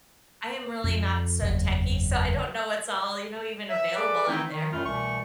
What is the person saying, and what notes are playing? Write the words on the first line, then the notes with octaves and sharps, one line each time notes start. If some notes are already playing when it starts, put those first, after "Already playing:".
I am really not so techy, so, I don't know what's all, you know, even available out there.
F2
F#1 E2
E5
G#4 A4 B4 D5 D6
D#3 E3 A3 C4 D#4 E4
D#3
F#2 A2 G3 A3 F4 F6
C2 B2 E3 A3 C#6